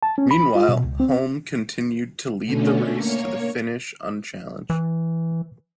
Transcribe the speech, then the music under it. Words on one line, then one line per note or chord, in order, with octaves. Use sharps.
Meanwhile, Hulme continued to lead the race to the finish unchallenged.
A5
C#4
B5
F4
B2
C#2
C4
B2 D3 A3 C#4
A#3 C#5
E3